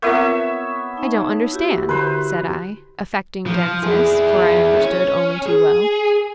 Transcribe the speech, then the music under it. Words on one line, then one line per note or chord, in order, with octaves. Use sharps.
"I don't understand," said I, affecting denseness, for I understood only too well.
B3 C4 F4 A#4 C#5 E5
D#4 A5
E4 F#4 G4
D3 B4 C5
F3
E4 G#4
C#4
G#4